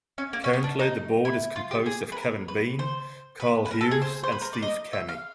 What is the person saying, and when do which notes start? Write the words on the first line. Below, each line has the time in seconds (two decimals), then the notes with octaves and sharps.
Currently, the board is composed of Kevin Bean, Carl Hughes, and Steve Kenney.
0.18 C#4
0.33 A#3
0.44 C#4
0.53 B3
0.64 D4
0.79 D#4
1.25 E4
1.56 F4
1.71 G4
1.86 G#4
2.12 B4
2.17 A#4
2.48 B4
2.79 C5
3.40 B4
3.66 B4
3.71 A#4
3.81 A4
3.91 G#4
4.02 C5
4.23 C5
4.32 B4
4.42 A#4
4.53 D5
4.62 D#5
4.93 E5
5.09 F5